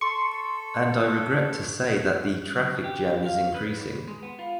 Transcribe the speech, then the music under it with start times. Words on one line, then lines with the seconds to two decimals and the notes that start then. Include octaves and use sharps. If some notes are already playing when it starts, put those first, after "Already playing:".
And I regret to say that the traffic jam is increasing.
0.01 A4 C6 C#6
2.53 F#3
2.84 G4
3.26 F5
3.54 B4
4.07 G#3
4.23 B3
4.39 F4